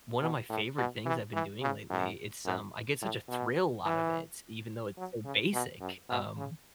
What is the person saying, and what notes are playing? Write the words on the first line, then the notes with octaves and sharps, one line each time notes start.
one of my favorite things I've been doing lately. It's, um, I get such a thrill out of it even though it's so basic, um
B2
A2
B2
E3
E3
C#3
F#2
F#2
A2
B2
E3
F#3
C#3
B2
F#2
B2
C#3